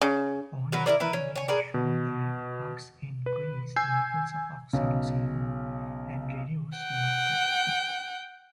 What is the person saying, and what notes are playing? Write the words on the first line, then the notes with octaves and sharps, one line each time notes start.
One study has shown that hugs increase levels of oxytocin and reduce blood pressure.
C#3
F#3 F#4 A#4 B4
E4 F4 A#4 D5
E4 A#4 B4
C#4
C#5 G#5
G#4 A#4 B4 D5
B2
B4
G#5 E6 G6 C7
B1 C#3
F#5 G5